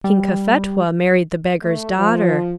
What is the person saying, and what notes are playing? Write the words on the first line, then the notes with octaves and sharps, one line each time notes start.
King Cophetua married the beggar's daughter.
G3
A3
F3